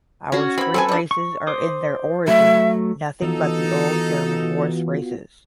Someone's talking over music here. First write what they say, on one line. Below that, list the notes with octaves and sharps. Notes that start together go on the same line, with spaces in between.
Our spring races are in their origin nothing but the old German horse-races.
C#4 F#4 A#4
A#3 C4 B5
C4 G#4 A4 B4 G#5
B2 D4
C#6
C5 D6 D#6
F#3 A3 E5
E3 B3 D#4 F4 F#4 A4